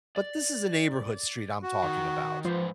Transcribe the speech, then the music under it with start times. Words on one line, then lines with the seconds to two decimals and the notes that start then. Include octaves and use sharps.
but this is a neighborhood street I'm talking about,
0.16 D5
1.62 F#4
1.84 D#3
2.45 G#2 F3 B4 C5